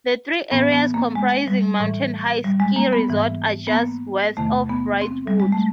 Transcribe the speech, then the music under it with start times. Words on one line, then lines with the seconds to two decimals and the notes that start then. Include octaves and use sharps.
The three areas comprising Mountain High ski resort are just west of Wrightwood.
0.51 A2 E3 B3
0.72 B3
0.94 A#3
1.15 G#3
1.48 G3
1.80 A2 E3
2.44 G3
2.60 G#3
2.76 A#3
2.93 B3
3.09 G#2 E3
3.67 B3
3.73 A#3
4.37 E2 C3 D#3 A3
4.69 B3
5.01 C4
5.27 G3
5.40 G#3
5.52 A3